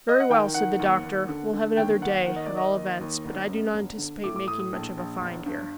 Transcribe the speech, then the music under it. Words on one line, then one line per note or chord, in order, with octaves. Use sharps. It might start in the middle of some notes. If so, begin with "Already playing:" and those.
"Very well," said the doctor; "we'll have another day, at all events; but I do not anticipate making much of a find here."
D#5
F#5
D#3 G5
D#3 F#5
D#2
D#2
D3
D3
D#2 G5
D#2 F#5
D#3 F#5
D#5
D#3 D5
D#5
D#2
D#2
G1
F#2
G1
D3
A2 D6
D6
A2 D#6
D#6
A#1
A#1
G1
G2